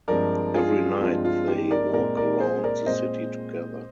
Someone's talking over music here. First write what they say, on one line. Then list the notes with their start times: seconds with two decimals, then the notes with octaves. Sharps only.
Every night they walk around the city together.
0.08 G2 F3 G#3 C4 A#4 D5
0.54 F4 G#4
1.01 G2 F3 G#3 C4 F4
1.25 F4
1.48 G4
1.71 A#4 D5
1.93 A#2 G#3 C4 A#4 D5
2.17 A#4 D5
2.40 G#4 C5
2.64 A#4 D5
2.86 A#2 G#3 C4 C5 D#5